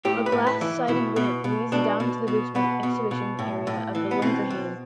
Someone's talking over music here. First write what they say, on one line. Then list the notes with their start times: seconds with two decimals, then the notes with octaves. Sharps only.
A glass-sided ramp leads down to the basement exhibition area of the Lengerhane.
0.05 A2 G4
0.26 B4
0.32 A2
0.47 B4
0.61 E3
0.88 B2 E4
1.16 B2
1.44 B2
1.72 B2 D4
2.00 B2
2.28 B2
2.55 B2 B3
2.83 B2
3.11 B2
3.39 A2
3.67 A2
3.95 E3
4.11 B3
4.22 B2 C4
4.50 B2